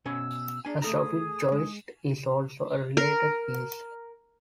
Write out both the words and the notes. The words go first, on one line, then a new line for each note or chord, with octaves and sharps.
A soffit joist is also a related piece.
B2 C#4 G#5 E6
D4 G#4 D5 G#5 A#5
A3 G#4 A4 G#5 A#5 D#6
G#3
A#4